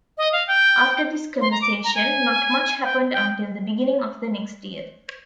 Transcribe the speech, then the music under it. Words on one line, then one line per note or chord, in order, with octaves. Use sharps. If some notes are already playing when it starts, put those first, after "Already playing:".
After this conversation not much happened until the beginning of the next year.
D#5
F5
G5
C6
A#5
D6
A#5
G#5
G5
G5